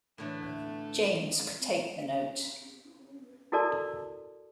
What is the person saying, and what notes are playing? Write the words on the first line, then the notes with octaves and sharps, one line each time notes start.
James could take the note.
A2 D3 E3 A3
E4 F#4 A4 A#4 D5 A5